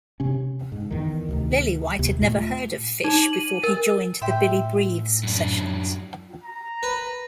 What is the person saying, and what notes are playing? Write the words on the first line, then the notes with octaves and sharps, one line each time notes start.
Lillywhite had never heard of Phish before he joined the "Billy Breathes" sessions.
C3 C#4
G#2
E2 D#3
D2 C3 D#3
D#2 C3
A#2 A3
D#4
F#7
D#7
A#4
A2 E5 G5 C6
F#2 D4
A#5
B4